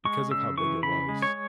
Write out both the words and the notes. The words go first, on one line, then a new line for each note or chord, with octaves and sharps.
because of how big it was
G#3 C#6
C#3 E6
E3 C#6
C#3 B5
G#3
C#5